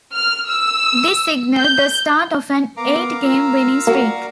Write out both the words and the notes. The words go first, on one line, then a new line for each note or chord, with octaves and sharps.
This signalled the start of an eight-game winning streak.
F6
E6
G6
B3 A#4 F5 A#5 D6
F4 E6
A#3 F#4 D5